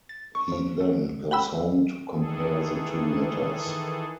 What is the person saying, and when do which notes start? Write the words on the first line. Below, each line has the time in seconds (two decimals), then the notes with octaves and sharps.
He then goes home to compare the two letters.
0.09 A6
0.35 C#6
0.52 F3
0.80 A4
1.31 F#5 G5 B5 E6
2.10 D#3 E3 G#4 A4